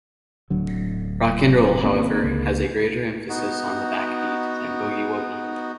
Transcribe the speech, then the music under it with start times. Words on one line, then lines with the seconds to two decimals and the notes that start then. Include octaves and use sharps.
Rock and roll however has a greater emphasis on the backbeat than boogie woogie.
0.50 D1 D3 F#3
1.82 G#1 A#3 C4 C#4
2.23 C#2 D3 A#3
3.29 B3 D#4 F#4